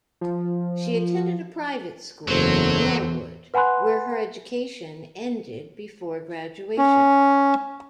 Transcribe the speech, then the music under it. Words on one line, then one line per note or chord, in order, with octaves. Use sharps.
She attended a private school, Norwood, where her education ended before graduation.
F3
F#1 E2 F#3 A4 C5
B4 F#5 G#5 B5 C6 F#6
C#4